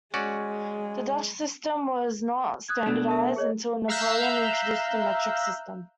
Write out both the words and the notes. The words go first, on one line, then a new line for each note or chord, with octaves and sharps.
The Dutch system was not standardised until Napoleon introduced the metric system.
G#3 C#4 F#4 D5
D#6 F#6 G#6
B2 A3 D4
A#4 E5 A5
G#4 C#5 D#5
E5 F5 A#5 E6 F#6 G6